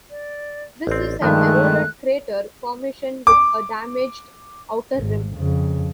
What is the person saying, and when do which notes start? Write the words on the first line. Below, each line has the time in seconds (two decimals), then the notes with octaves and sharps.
This is an eroded crater formation with a damaged outer rim.
0.10 D5
0.87 A1 C4 D5
1.22 G2 D#3 F3 G#3 A3 F#6
3.27 D6
4.97 G#1
5.36 F2 C#3